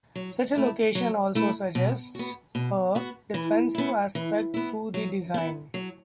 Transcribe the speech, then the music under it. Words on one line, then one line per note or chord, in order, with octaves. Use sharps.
Such a location also suggests a defensive aspect to the design.
F#3
A3 E4
F#3
A3 E4
B2
B3 F#4
B2
B3 F#4
E3
B3 E4
E3
B3 E4
F#3
B3 E4
F#3